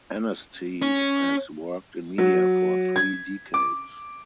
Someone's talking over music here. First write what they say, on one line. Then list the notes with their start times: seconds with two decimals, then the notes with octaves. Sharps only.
Anstey has worked in media for three decades.
0.82 C#4
2.18 F#3
2.96 G#6
3.54 D6